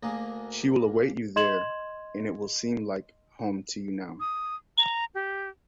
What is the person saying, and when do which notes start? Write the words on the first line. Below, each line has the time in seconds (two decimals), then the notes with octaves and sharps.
She will await you there and it will seem like home to you now.
0.03 D2 A#3 G#4
1.36 D#5 C6 G#6 E7 F#7
4.20 D#6
4.78 A#5
5.15 G4